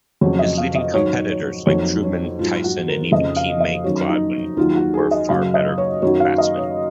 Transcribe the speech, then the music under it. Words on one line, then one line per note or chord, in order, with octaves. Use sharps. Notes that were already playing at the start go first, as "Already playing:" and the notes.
His leading competitors like Trueman, Tyson, and even teammate Gladwin were far better batsmen.
F2 C#3 F#3 C#5
D#5
F5
D#5
G#2 D#3 F#3 C#5
C#5
F2 D#3 F#3 C#5
C#5
G#2 F#3 F4
F#4
A#4
F2 C#3 F3 D#5
F5
D#5
F#2 D#3 F#3 C#5
D#4
D#2 D#3 F#3 F4
F#4
G#4
D#5
F#2 C#3 F#3 F5
D#5
C#5
F#2 D#3 F#3 C#5
F5
D#5
C#5